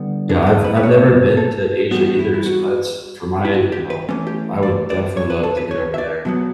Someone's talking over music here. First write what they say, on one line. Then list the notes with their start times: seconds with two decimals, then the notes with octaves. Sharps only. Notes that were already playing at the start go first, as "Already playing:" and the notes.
yeah, I've I've never been to Asia either, so that's for my you know, I would definitely love to get over there.
Already playing: D3 G3 B3
0.29 D4
0.43 G4
0.47 A4
0.64 B4
0.77 B4
0.83 C#5
1.37 A4
1.91 E3 G3 B3 F#4
2.00 G4
2.08 F#4
2.19 E4
2.34 E4
2.46 F#4
3.45 E4
3.54 F#4
3.72 G4
3.90 B4
4.09 E3 A3 C#4
4.27 G4
4.63 D5
4.90 D5
5.17 C#5
5.30 B4
5.43 A4
5.57 B4
5.71 C#5
5.94 E5
5.98 D5
6.25 B2 F#3 B3